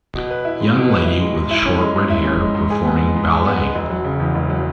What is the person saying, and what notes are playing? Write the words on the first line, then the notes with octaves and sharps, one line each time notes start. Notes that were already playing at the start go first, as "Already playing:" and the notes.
Young lady with short redhair performing ballet.
B2
B4
E4
G#3
B2
B4
E4
G#3
G#2
E4
C#4
G#3
G#2
E4
C#4
G#3
G#2
G#4
B3
G#3
G#2
G#4
B3
G#3
E1
F#3
C#3
E2
E1
F#3